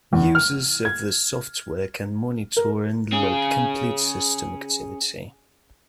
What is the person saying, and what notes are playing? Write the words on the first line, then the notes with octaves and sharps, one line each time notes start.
Users of the software can monitor and log complete system activity.
E2
F6
G#6
A#4
C#4 G#4